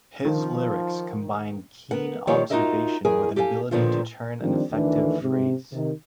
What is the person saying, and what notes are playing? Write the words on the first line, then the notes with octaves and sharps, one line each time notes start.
His lyrics combined keen observation with an ability to turn an effective phrase.
D#3 F3
B3 A#4 F#5
D#3 F3 G3 A#3 C#5 D5
D#4 F4 F#4 A#4 D#5 E5
E2 G#4 A#4 G#5
G4 A4 F5 F#5 G#5
A#2 D3 D#3 F3 B3 F4
D#3 F3 G3 C4 D4
D2 D#3 E3 A3 D4
G#2 C3
C3 D#3